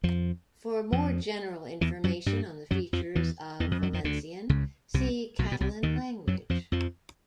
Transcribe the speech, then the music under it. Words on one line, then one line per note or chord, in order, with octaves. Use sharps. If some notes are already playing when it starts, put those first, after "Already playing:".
For more general information on the features of Valencian, see Catalan language.
F2 F3
F2 F3
E2 E3
F#2 F#3
G2 G3
F#2 F#3
F2 F3
E2 E3
E2 E3
F2 F3
F#2 F#3
F2 F3
D2 D3
C#2 C#3
C2 C3
B1 B2
B2
C2 C3
D#2 D#3
F#2 F#3
F2 F3
F2 F3